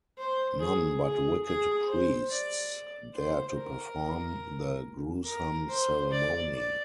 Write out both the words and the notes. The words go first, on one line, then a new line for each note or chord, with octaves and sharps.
None but wicked priests dare to perform the gruesome ceremony.
C5
G#4
G#4
G#4
C5
D5
C5
A#4
A#4
C5
D5
D5